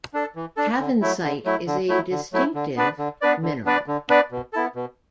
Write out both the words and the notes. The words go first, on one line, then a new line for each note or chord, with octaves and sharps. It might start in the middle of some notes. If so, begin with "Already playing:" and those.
Cavansite is a distinctive mineral.
D4 A4
E3
D4 A4
D3
F#3 A3 E4
D3
F#3 A3 E4
D3
F#3 A3 E4
D3
F#3 A3 E4
D3
B3 D4 B4 D5
D3
B3 D4 B4 D5
D3
B3 D4 B4 D5
D3
B3 D4 B4 D5
B2
B3 E4 A4
B2